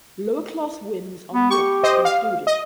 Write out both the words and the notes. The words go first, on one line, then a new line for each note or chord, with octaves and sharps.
Lower class wins are not included.
B3
G4 C#6
C5 D#5
F5
D#5